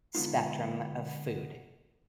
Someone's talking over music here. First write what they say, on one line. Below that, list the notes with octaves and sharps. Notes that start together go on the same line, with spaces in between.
spectrum of food.
D3 G#3 B3 D#4 F4